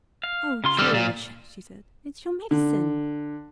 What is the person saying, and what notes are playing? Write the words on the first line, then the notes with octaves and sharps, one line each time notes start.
"O George," she said, "it's your medicine!"
F5
C#3 F4 C6
D3 G3 A4 F6
A#2 D5 F5
D3